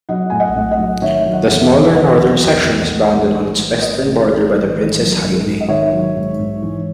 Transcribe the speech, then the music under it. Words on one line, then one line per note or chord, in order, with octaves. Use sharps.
The smaller northern section is bounded on its western border by the Princes Highway.
F#3 D#5 F#5
A2 G#5
D#5 F#5
A2
D#5 F#5
F#3
D#3 C#5 E5
F#3
D#5 F#5
E2
E5
D#5 F#5
E2
D#3 D#5 F#5
F#3
E2
E2
E3
A2
A2
E3
E3 B4 D#5
A2
A2
E3
D#3
F#3
G#2
G#2
D#5
D#3 C#5 E5
F#3
G#2
G#2
E3